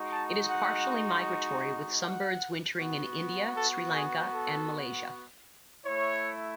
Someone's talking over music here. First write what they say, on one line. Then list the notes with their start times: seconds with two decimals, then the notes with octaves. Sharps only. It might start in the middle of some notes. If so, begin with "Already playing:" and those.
It is partially migratory, with some birds wintering in India, Sri Lanka and Malaysia.
Already playing: G#3 D#4 F#4
0.12 A5
0.50 F#5
2.04 F#5
2.79 B3 F#4
3.57 A4
3.95 G#4
4.33 A4
5.86 A3 E4 C#5